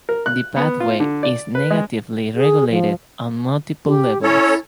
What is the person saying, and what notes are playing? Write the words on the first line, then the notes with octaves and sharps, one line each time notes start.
The pathway is negatively regulated on multiple levels.
A#4
F#6
B3
F4
D3
D5
B4
G#3
G#4
F3
G4
C#4 E4 A4 C#5